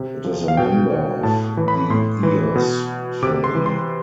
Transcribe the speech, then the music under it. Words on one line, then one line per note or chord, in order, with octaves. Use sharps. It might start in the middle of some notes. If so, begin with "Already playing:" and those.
It is a member of the Eos family.
Already playing: C3
F3
F5
B2 G5
A2 A5
E3
B5
A2 C6
E3
B2
C3 D6
C6
E3
C6